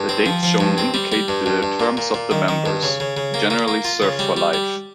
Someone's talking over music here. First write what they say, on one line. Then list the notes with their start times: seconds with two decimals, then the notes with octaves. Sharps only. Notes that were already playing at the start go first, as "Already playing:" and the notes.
The dates shown indicate the terms of the members, who generally serve for life.
Already playing: G2
0.09 C4
0.26 F3
0.43 F3
0.60 G2
0.78 C4
0.94 G3
1.12 G3
1.28 G2
1.46 G2
1.63 G2
1.80 A#2
1.97 A#2
2.14 A#2
2.31 D#3
2.48 D#3
2.66 G2
2.83 C#3
3.00 C#3
3.17 C#3
3.34 A#3
3.50 A#3
3.68 A#3
3.85 F4
4.02 C#3
4.19 G3
4.37 G3
4.53 G3